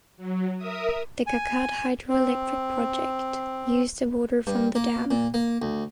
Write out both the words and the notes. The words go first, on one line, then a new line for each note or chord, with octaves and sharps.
The Kakkad Hydroelectric Project use the water from the dam.
F#3
A#4 E5 D#6
G#5
C4
G2
A#3
A#2
A#3
D2